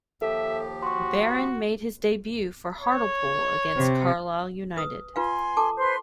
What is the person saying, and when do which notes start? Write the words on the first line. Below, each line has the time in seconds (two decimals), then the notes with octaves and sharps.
Barron made his debut for Hartlepool against Carlisle United.
0.22 D#2 F3 G4 A4 E5
0.82 F#4 C6 C#6
2.80 C#5
3.75 C3
4.77 B4 D#6
5.16 F4 B4 F5 G#5 C6
5.57 A4 A5 D6
5.77 B4 C5 C6